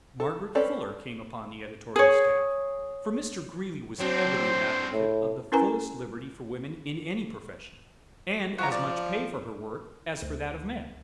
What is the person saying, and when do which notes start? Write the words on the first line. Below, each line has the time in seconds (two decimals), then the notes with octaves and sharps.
Margaret Fuller came upon the editorial staff; for Mr. Greeley was ever the advocate of the fullest liberty for woman in any profession, and as much pay for her work as for that of men.
0.20 A4
0.55 C4 C#4 A4 B4 D5
1.96 G#4 C#5
4.00 F#3 C4 D4 C5
4.92 A2
5.52 C#4 E4 A#4 B4 G#5 A#5
8.58 F3 F#4 G4 A#5
8.72 D5
10.22 D2